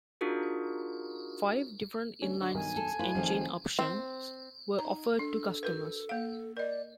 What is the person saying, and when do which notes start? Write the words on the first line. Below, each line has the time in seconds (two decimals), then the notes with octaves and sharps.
Five different inline six engine options were offered to customers.
0.21 D4 D#4 F4 F#4 G#4 A#4
2.22 D2 C#4
2.41 D3 F#4 C#5
2.55 B1 G2 D#3 G#5
2.76 A4
2.99 A2 F4 B4
3.14 F#1 D#3 F3 A4
3.79 C4
4.79 D#4 A#5
5.19 D4 A4
5.63 F#4 A#4 B4
6.09 A#3 F5
6.57 A#4 D5 D#5